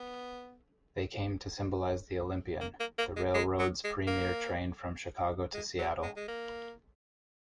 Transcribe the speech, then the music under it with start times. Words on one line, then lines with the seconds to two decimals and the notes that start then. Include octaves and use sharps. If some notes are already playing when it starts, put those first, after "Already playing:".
They came to symbolize the "Olympian", the railroad's premier train from Chicago to Seattle.
Already playing: B3
2.61 A#3
2.80 A#3
2.98 A#3
3.16 G#3
3.34 G#3
3.59 F#3
3.84 G#3
4.07 A#3
5.54 G#3
5.79 F#3
6.02 G#3
6.16 G#3
6.28 A#3